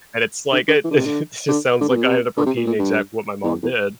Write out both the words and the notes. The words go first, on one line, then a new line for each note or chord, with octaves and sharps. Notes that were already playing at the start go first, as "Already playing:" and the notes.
And it's like it it just sounds like I ended up repeating exactly what my mom did.
D3
D3
E3
D3
C3
D3
D3
D3
C3
A#2
C3
D3
C3
A#2
A#2
G2
E2
E2